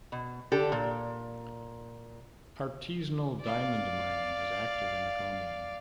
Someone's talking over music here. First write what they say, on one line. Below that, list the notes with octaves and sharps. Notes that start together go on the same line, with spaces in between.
Artisanal diamond mining is active in the commune.
B2
D3 G4 A4
A#2
D5 F5